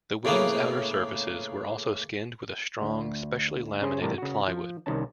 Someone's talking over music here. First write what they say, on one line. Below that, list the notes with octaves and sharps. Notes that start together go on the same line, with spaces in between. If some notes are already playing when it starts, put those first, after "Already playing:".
The wings' outer surfaces were also skinned with a strong, specially laminated plywood.
A2 C#3 A#3 B3
D2
C#3 C#4 G#4 C5
A1 A2 C3 G3 A#4 A5
C#3 F#4
F3
C2 C3 D#3 C#4 A5